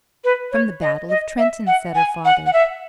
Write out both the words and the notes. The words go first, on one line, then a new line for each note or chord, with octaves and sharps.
"From the battle of Trenton," said her father.
B4
C#5
D#5
D#5
E5
F#5
G#5
F#5
F#5
E5